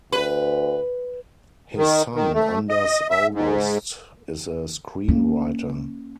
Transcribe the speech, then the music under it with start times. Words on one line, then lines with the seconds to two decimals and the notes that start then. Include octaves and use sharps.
His son Anders August is a screenwriter.
0.12 D2 B4
1.78 D#3
2.15 D#3
2.34 A3
2.69 D#5
3.10 E5
3.34 G#2
5.08 A#3 C#4